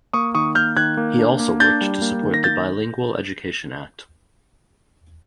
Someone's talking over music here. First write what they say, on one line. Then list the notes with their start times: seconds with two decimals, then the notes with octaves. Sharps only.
He also worked to support the Bilingual Education Act.
0.14 A#3 C#6 D#6
0.35 D#3 C#6 D#6
0.55 A#3 F6 G6
0.76 D#3 F#6 G#6
0.97 A#3
1.18 D4
1.40 A#3
1.60 D4 G6 A6
1.81 G3
2.02 A#3
2.23 D#3
2.34 A#6
2.44 A#3 G6 A6